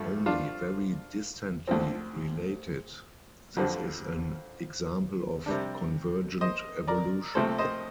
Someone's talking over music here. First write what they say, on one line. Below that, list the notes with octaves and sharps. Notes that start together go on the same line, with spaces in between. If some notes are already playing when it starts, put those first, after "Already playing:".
Only very distantly related, this is an example of convergent evolution.
Already playing: G2 D3 F3 A3
D4 F4
D2 D3 F3 C4
F2 D3 F3 C4
C3 G3 D4
C5 D#5
A#4 D5
D2 C3 F3 A3 A4 C5
C5 D#5